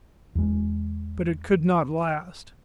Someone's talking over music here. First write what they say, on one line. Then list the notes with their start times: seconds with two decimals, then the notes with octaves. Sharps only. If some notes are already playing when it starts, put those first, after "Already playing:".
But it could not last.
0.35 E2 G#3